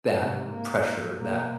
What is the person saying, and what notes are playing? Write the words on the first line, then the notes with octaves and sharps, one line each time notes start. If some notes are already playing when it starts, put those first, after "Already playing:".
that pressure, that
G#2 C3
A#3
G#2
B2 A#3